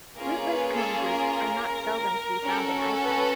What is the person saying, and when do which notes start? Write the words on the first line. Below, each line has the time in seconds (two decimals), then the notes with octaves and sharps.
Rootless cone groups are not seldom to be found in Iceland.
0.17 A#3 C#4 F4 G#4 A#4
0.46 B4
0.74 A4
1.03 A#4
1.31 A#4
2.47 C#4 F#4 A4
3.04 B4